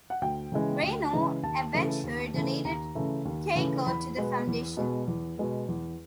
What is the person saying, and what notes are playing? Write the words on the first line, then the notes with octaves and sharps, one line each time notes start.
Reino Aventure donated Keiko to the Foundation.
F#5
D2 G5
C#3 E3 G#3
D2
C#3 E3 G#3
D#2 A5
C#3 E3 A3
D#2
C#3 E3 A3
D#2 A#5
C#3 E3 A3
D#2
C#3 E3 A3
E2 B5
B2 G#3 B3
E2
B2 G#3 B3
E2
B2 G#3 B3
E2